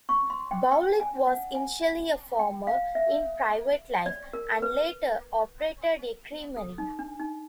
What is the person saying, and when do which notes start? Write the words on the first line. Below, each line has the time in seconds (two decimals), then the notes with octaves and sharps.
Boulic was initially a farmer in private life, and later operated a creamery.
0.09 C#6
0.30 C6
0.51 G5
0.71 G5
1.00 G#5
1.27 F#5
1.55 G#5
2.39 G5
2.67 F5
2.95 E5
4.06 D5
4.33 A#4
4.62 B4
6.57 A4
6.78 D#4
6.99 D4
7.20 D#4